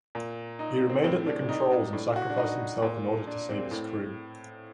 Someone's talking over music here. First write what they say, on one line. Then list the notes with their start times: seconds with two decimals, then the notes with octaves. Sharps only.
He remained at the controls and sacrificed himself in order to save his crew.
0.15 A#2
0.59 D#4
0.90 C4
1.04 A2 C4
1.26 D4
1.49 D#4
1.93 A2 D4
2.16 F#4
2.30 D4
2.38 D#4
2.82 A#2
3.27 D4
3.49 C4
3.71 A2